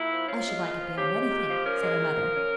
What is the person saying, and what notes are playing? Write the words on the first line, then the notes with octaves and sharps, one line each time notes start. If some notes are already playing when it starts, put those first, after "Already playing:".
"I should like it beyond anything!" said her mother.
Already playing: A#2 E4
F3
C#4 F4
G#3
A#2
F3
C#4 G4
G#3
A#2
F3
C#4 A#4
G#3
A#2
F3
C#4